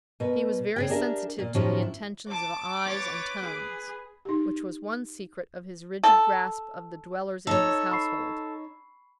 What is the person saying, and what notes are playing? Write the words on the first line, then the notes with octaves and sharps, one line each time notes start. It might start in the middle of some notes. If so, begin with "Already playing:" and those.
He was very sensitive to the intentions of eyes and tones; which was one secret of his rigid grasp of the dwellers in his household.
B2 A#4 B4
C#3 G#4 G5
D4 G4 G#4 A#4 E5
A#2 A#3
A2 D#3 F3 C#4 G4
E4
A5 D6
B4 C#5 A6
G#4
D#4 G4
A4
D#4 A4 C#5
B5 C#6 C7